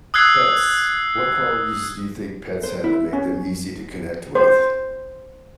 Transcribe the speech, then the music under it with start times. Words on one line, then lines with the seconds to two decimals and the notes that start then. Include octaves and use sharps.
pets. What qualities do you think pets have that make them easy to connect with?
0.14 D#6 E6 F#6 G#6 C7
2.63 C5
2.84 E4
3.13 C#4
4.35 C5